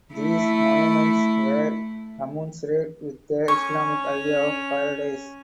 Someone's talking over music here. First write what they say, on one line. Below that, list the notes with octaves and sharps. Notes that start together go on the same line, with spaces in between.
These monuments were commensurate with the Islamic idea of paradise.
A3 E4
C#4 C#6